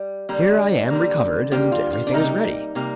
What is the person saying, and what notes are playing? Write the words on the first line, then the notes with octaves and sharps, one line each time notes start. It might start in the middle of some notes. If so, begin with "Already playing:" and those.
"Here I am recovered and everything is ready."
Already playing: G3
D3 G3 A#3
D3 G3 A#3
D3 G3 A#3 G4
F4
F4
D4
C3 G3 A#3 D#4
C3 G3 A#3